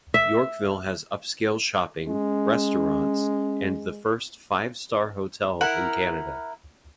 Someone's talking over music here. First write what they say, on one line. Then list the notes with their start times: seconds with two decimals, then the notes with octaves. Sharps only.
Yorkville has upscale shopping, restaurants, and the first five star hotel in Canada.
0.14 E5
2.08 G#3 C#4
5.61 E4 A#4 F#5